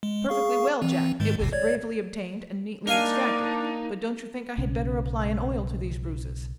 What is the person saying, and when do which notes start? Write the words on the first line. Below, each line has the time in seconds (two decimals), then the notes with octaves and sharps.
"Perfectly well, Jack; it was bravely obtained, and neatly extracted; but don't you think I had better apply an oil to these bruises?"
0.03 G#3
0.29 G#4 F5 C#6
0.82 E3 C4
1.20 G#2 D#3 G#3
1.39 G#1 D#2 B2
1.53 C#5 D5 G#6
2.87 A#3 D4 D#4 A#4 F5 G#5
4.58 B1 C#3 C#4